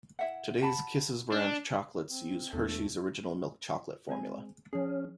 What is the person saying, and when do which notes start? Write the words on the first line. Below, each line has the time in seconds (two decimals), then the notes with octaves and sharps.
Today's Kisses brand chocolates use Hershey's original milk chocolate formula.
0.19 E4 E5 F#5
0.61 F#5 A5 B5
1.32 D4
2.08 C4
2.53 E1 E2 A3 A4
4.09 G#3 C4 G#5
4.73 F3 C#4 G#4